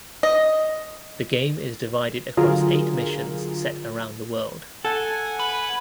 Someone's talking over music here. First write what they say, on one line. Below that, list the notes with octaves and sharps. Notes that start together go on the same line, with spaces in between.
The game is divided across eight missions set around the world.
D#5
D3 F#3 F4 G#4 A#4
A4 F#5 G#5
B4